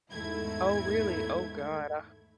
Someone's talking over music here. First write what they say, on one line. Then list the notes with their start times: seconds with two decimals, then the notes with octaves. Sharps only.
Oh, really? Oh, god. Uh,
0.11 E2 G#2 D#3 A3 E4 G#6